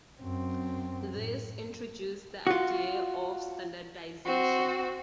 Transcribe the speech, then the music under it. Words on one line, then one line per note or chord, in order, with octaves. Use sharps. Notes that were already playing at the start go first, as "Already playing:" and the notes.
This introduced the idea of standardization.
F#2 C4
A2
F4 F#4
C4 F#4